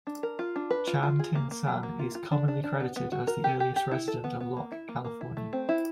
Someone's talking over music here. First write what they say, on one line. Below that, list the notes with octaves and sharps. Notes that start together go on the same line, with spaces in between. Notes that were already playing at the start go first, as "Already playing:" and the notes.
Chan Tin-San is commonly credited as the earliest resident of Locke, California.
D4
A#4
F4
D4
B4
F4
F4
G#4
A#3
A#3
F#3
A#3
F4
F4
D4
D4
D4
B3
B3
F#4
A#4
G4
G4
G4
E4
A4
B3
B3
A#3
E4
A#3
A#3
E4
A3
C4
E4